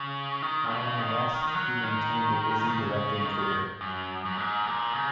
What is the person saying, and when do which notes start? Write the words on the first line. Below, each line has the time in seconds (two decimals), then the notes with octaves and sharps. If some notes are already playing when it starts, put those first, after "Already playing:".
While in the West he maintained a busy directing career.
Already playing: C#3
0.42 D#3
0.65 A#2
0.70 C#3
0.99 D#3
1.47 D#3
1.55 F#3
1.83 D#3
2.68 C#3
3.25 D#3
3.81 F#2
4.25 F#2
4.38 G#2
4.66 A#2
4.94 C#3